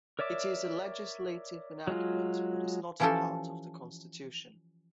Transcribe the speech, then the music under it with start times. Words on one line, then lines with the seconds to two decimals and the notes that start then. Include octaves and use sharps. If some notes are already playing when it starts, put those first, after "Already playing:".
It is a legislative enactment but is not a part of the Constitution.
0.19 A#4 C#5 D5 E5 D6
1.87 F#3 G#3 F4
3.00 E3 F3 C#4 G4 A4 C5